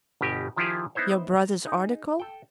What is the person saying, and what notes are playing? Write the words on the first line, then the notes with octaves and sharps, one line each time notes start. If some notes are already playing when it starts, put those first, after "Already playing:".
Your brother's article?
G1 B2 G4 D#5 G#5
D#3 F3 E4 F4 G4 G#4
B3 D#4 E4 C5 C#5
A#5
D#4 G#4
A4 G5